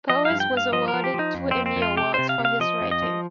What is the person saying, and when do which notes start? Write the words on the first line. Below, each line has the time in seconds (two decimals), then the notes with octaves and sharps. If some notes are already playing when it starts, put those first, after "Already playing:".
Powers was awarded two Emmy Awards for his writing.
0.10 F3 D#5
0.25 G2 F5
0.40 G5
0.51 G2
0.57 F5
0.73 F3 D#5
0.88 A#4
0.94 F3
1.04 G4
1.14 F3 D#4
1.35 F2
1.51 F2 C4
1.66 C4
1.76 F2
1.82 F4
1.97 C3 G4
2.14 C3 C5
2.29 F5
2.39 C3
2.45 F5
2.60 F3 D#5
2.81 F2
2.91 D#5
3.02 F3